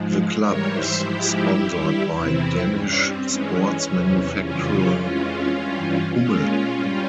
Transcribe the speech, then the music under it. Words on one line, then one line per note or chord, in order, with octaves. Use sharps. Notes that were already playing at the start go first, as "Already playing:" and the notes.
The club is sponsored by Danish sports manufacturer Hummel.
Already playing: G#2 F3 G#3
G#2 E3 G3 A#4 C#5
C5 E5
G#2 F3 G#3 E4 G4
G2 G3
E2 C3 E3 C4 E4
G2 G3 C#4
C4
G2 E3 G#3 C#4
E2 C3 E3
F2 C#3 E3 G3 C#4 F4
F2 E3 G#3 C#4 F4
G2 E3 G3
A#2 G#3 C#4 F4
G2 G3